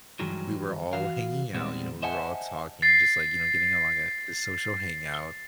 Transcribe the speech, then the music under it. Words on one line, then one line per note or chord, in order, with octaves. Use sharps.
we were all hanging out, you know, we were all talking just, like, you know, getting along at this social hangout
G2 D#3 E3 F#3 G#3
E3 F#4 F5
A#2 D#3 G3 G#3 B3 C4
C5 D#5 E5 F#5 G#5 A5
A6 C7